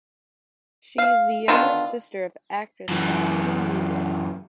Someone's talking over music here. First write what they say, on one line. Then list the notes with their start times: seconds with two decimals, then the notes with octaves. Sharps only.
She is the younger sister of actress Hitomi Miwa.
0.98 F5
1.48 D3 D#3 B3 F4
2.89 F#2 E3